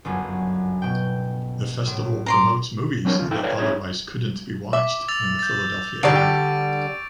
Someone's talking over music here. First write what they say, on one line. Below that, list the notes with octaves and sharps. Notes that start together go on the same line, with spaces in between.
The festival promotes movies that otherwise couldn’t be watched in the Philadelphia area.
G1 C#2 F#2
B2 G5
A#1 A2
A#5 C6 D6
F#3 G3 C4 D4 A#4 C#5
F2 A2 C#3 F3 F4
D#4 E4 A4 F5 G5
A4 B4 C#5 D5 F5 G5
C4 D#4 E4 F#4 G#4 C#5
E5 D6
E6 A6 F7
G6 A6
D3 D#3 G3 E4 D5 C#6 A6 D7
G4